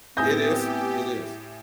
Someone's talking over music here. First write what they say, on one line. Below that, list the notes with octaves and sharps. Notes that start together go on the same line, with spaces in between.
It is, it is.
A2 B3 C4 G4 G#5 D#6 G6 A#6